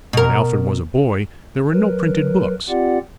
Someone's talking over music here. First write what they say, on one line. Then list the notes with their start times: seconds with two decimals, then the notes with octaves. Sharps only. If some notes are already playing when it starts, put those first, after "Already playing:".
When Alfred was a boy there were no printed books.
0.13 B2 A#4
1.70 F#3 A#4 B4
2.69 C4 F4 G4 D5 F#5